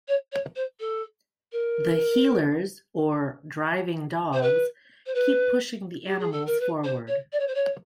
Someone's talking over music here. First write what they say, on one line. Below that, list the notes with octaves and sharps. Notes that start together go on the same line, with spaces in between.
The "heelers" or driving dogs keep pushing the animals forward.
C#5
C#5
C5
A4
A#4
C5
B4
C5
B4
G4
G#4
A4
A#4
B4
C5
C#5
D5
C#5
C5
C#5